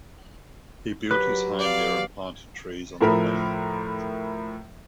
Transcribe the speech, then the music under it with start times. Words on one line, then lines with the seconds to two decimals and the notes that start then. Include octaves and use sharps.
He built his home there and planted trees on the land.
1.11 F#3 G4 B4 F#6
1.60 D5 F5
3.01 A2 F3 A#4 E5 B5